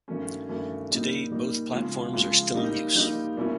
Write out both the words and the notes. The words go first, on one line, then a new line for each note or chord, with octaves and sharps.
Today both platforms are still in use.
G2 D#3 F#3 A3 C#4
G2 D#3 F#3 A3 C#4
A#2 G3 A#3 D#4
A#2 G3 A#3 D#4
C#3 F3 G#3
C#3 F3 G#3
G3 A#3 D#4 G4
G3 A#3 D#4 G4
B2 G3 A#3 C#4 E4